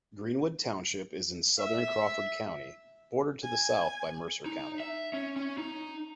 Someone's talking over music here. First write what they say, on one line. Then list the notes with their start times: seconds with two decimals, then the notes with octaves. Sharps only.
Greenwood Township is in southern Crawford County, bordered to the south by Mercer County.
1.58 E5
3.44 G#5
4.46 D#4
4.80 E5
5.13 C#4
5.36 C#4
5.58 D#4